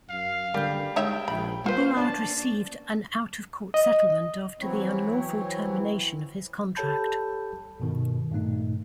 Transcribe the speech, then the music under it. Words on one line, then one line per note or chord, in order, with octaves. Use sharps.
Bullard received an out of court settlement after the unlawful termination of his contract.
F#2 F5
D3 G3 A#3 G6
G#3 D#4 C#5 E5 G5
A#1 B5
A#3 F4 B4 C5
C#4 D4 A5
D#5
E3 F#3 C4 E4 C#5
G4 A4 C#5 A5 B5 G6
G2 B2 D#3
G2 A#2 A3 D#4